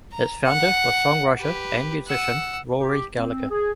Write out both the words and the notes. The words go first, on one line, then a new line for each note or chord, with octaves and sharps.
Its founder was songwriter and musician Rory Gallagher.
A#5
F#5
G4 B4
F#5 E6
G4
C4
G#4